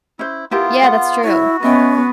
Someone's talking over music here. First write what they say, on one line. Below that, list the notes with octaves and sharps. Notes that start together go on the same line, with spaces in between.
Yeah, that's true.
C#4 E4 C5
B3 E4 F4 G4 A#4
G#4 D5 F#5
E4 F#4 C#5 E5
B3 C#4 D#5 E5 G5